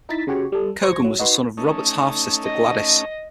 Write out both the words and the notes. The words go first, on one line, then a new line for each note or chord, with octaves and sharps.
Cogan was the son of Robert's half-sister Gwladys.
D#4 E4 A6 B6
C#3 C#4 F#4 G4 C#5
G3 A4
C5 C#6 G#6 A#6
F#3
D#4 F#4 B4 C6
A3 C#4 D#4
D#5